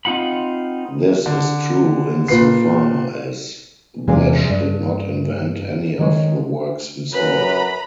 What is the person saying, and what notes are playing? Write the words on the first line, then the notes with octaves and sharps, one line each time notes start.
This is true insofar as Blish did not invent any of the works himself.
C4 D#4 F4 F#5 B5
D3
A#2 B4 C7
E2 C3 G#3 C4 C#4 F5
G2
D#3 G#3 C#5
F#2 B4 A#5 B5